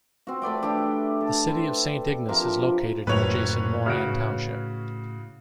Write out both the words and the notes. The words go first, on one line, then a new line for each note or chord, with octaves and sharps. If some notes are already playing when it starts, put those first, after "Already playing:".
The city of Saint Ignace is located in adjacent Moran Township.
C4 F#4
A3 B4 D5 G5
D4 E4 G4
A4
B4 C5
C3 F3 G4 A#4
F#1 A2 B4 C#5 F7
C#3 F#4 F6 D7